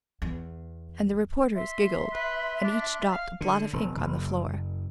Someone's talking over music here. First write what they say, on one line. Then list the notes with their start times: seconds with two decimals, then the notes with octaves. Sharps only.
And the reporters giggled, and each dropped a blot of ink on the floor.
0.22 E2
1.55 E5 C6
2.14 B4
2.64 D4
3.13 F5
3.41 D3
3.73 E1
3.97 F#1